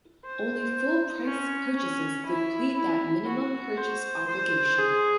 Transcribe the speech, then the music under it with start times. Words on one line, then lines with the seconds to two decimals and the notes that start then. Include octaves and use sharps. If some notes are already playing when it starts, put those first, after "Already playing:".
Only full price purchases deplete that minimum purchase obligation.
0.25 C5
1.25 C#4
1.76 C#4
2.26 E4
2.77 E4
3.27 F#4
3.77 C5
4.27 C5
4.78 G#4